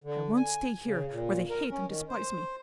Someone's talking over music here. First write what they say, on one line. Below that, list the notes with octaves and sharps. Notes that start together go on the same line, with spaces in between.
I won't stay here, where they hate and despise me!
D3
G#5
C#3
A#2
A#4
C#4
D#3
C5